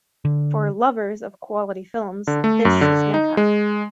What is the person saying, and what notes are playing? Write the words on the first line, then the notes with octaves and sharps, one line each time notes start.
For lovers of quality films, this is Mecca.
D3
D3
A3
F#2
D3
D#4
G#3